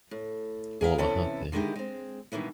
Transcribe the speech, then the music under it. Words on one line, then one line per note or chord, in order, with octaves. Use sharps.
All are happy.
A2
G#4 A#4 B4 F5
C3 E3 B3 C#4 E4 A4
D3 D#3 G#3 D#4 E4 G4
G#3 C4
G2 B2 D#3 E3 G#3